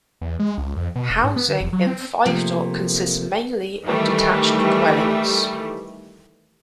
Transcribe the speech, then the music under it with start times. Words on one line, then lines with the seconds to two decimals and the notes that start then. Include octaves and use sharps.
Housing in Five Dock consists mainly of detached dwellings.
0.21 E2
0.39 G#3
0.58 C#2
0.76 F2
0.95 B2
1.10 E1
1.24 G#2
1.36 B3
1.48 D3
1.61 F1
1.73 F#3
1.87 C4
2.25 C3 F3 A3 A#3
3.85 D#3 E3 G3 A3